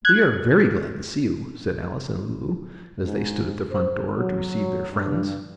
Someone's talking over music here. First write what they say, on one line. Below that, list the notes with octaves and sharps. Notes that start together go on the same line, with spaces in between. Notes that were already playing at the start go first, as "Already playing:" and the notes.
"We are very glad to see you," said Alice and Lulu, as they stood at the front door to receive their friends.
F#6 G#6
G#2
C5
F#3
G2